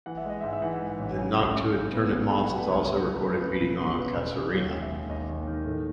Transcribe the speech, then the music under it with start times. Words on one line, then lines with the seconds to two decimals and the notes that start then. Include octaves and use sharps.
The noctuid turnip moth is also recorded feeding on "Casuarina".
0.06 E3 F#5
0.17 E5
0.25 G#3 D#5
0.41 G#2 E5
0.53 E5
0.62 E3 F#5
0.81 G#2
0.90 F#5
0.99 A1
1.18 C#3 G#5
1.37 C#2
1.55 C#2
1.74 C#3
1.93 B3
2.12 B3
2.30 A3 G#5
2.44 B2 F#5
2.58 B4
2.67 C#2 C#5
2.85 C#2 C#5
3.05 C#2
3.14 B4
3.23 A3
3.42 C#3 B4
3.60 E1
3.80 E2
3.98 C#3 B4
4.17 E1
4.36 C#3
4.54 D#2 C#5
4.72 G#3
4.82 E5
4.92 D#2
5.09 D#2 D#5
5.29 D#2
5.47 D#3
5.66 A2